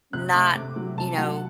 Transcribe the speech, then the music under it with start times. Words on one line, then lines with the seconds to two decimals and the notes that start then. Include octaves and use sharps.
not, you know,
0.13 C3 F#6
0.34 A3 D6
0.55 C3
0.76 F#3
0.97 C3 A5
1.18 F#3 F#5